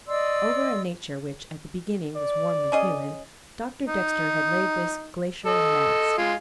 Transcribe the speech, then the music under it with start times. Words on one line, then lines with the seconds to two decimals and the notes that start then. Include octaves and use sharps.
Over a nature which, at the beginning, was warmly human, Doctor Dexter had laid this glacial mask.
0.07 D5 D#5 C6 E6
2.16 D5
2.72 C#4 G#4 D#5
3.88 D#4
5.46 A4 D#5
6.18 G#3 F4